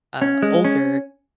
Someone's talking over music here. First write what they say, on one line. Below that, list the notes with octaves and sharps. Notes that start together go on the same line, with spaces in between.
uh, older,
C#4
G#3
C#4